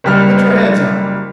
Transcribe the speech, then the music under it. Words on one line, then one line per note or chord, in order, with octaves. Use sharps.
"Put your hands up!"
F#1 G3 F6